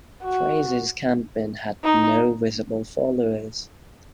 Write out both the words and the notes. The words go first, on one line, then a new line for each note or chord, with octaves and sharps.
Fraser's campaign had no visible followers.
F#4
D#4